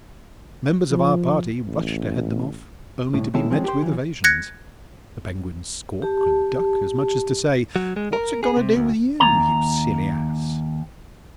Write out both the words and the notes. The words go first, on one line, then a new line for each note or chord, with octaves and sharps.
Members of our party rush to head them off, only to be met with evasions--the penguins squawk and duck as much as to say, 'What's it got to do with you, you silly ass?
F3
A1
C2 A2
D#3 G#3 C#4 E4 A4
F3 G#3 C4 C#4
G4 G#4 C5
E3 F#3
F#6 G#6 A#6 C#7
G4 A5
F#3
G#3
A#4
G#4
C3
D2
D#2 A#5